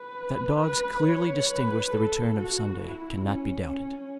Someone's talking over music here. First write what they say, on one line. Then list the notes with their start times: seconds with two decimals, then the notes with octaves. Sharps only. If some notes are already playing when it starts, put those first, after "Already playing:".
That dogs clearly distinguish the return of Sunday cannot be doubted.
Already playing: B4
0.62 B4
1.06 C#5
1.50 B4
1.93 A4
2.37 F#4
2.81 E4
3.24 C#4
3.68 C#4